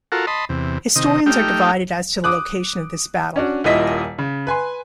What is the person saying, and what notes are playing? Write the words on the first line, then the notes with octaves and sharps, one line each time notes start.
Historians are divided as to the location of this battle.
F4 F#4 A4 A#4
D#5 A5 B5 C6
E2 C3
C3 D#3 D#5
A3 D#4 G4 G5 F6
D6 D#6 F#6
C#4 D4 F#4
D#1 A#2 E4 D#5 B6
C#3
B4 G#5 C6